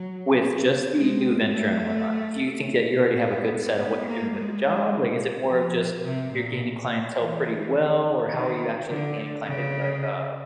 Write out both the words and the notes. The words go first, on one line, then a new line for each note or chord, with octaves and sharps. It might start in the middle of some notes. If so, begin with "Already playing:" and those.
With just the new venture and whatnot, do you think that you already have a good set of what you're doing with the job, like, is it more of just, you're gaining clientele pretty well, or how are you actually gaining client it's like, uh
Already playing: F#3
G#3
A3
B3
B3
A#3
G#3
F3
C3
A#2
E3
D#3
D3
C#3